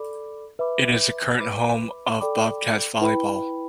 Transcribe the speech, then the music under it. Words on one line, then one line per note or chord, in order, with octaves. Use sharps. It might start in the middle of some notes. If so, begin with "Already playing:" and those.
It is the current home of Bobcats volleyball.
Already playing: A4 D5 B5 D6
B4 E5 B5 D6
B4 E5 B5 D6
A4 D5 G5 B5 D6
E4 B4 G5 B5